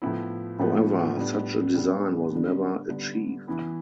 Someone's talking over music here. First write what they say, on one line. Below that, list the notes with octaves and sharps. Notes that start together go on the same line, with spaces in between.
However, such a design was never achieved.
A2 F3 B3 E4
A2 F3 B3 E4
A2 G3 B3 D4
A2 G3 B3 D4
D3 G3 B3 D4
D3 G3 B3 D4
E3 B3 E4